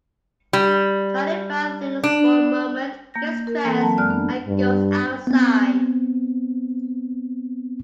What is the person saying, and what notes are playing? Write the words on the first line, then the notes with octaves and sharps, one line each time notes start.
Charlie Brown thinks for a moment, gets dressed, and goes outside.
G3
D4
A#3 G6 A#6
A#4
E3 A#3 C4 A4
F#3 C4 A5 A#5
F#2 G#3 D5 F6 F#6
B3 D4
G2
B3 C4